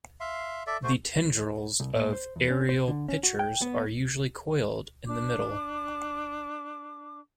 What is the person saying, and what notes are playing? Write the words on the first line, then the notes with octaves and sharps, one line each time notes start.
The tendrils of aerial pitchers are usually coiled in the middle.
E5 F5 C6
A4 D5 E5
A3 F#4 C5
C2
A#2
C5
E2
C#4
C5
D3
C#4
F#4
G5
B3
D4 D6